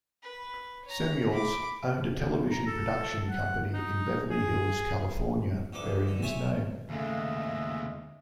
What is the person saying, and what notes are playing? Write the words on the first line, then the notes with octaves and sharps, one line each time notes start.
Samuels owned a television production company in Beverly Hills, California bearing his name.
B4
C#5 A#5
B5 D6
A#5
A4
F#5
D#4
G#4
G#2 D3 E3 D6
D3
C5 C#5 E5 G#5 C6
D#2 C#3 G#3 A3 D#5 E5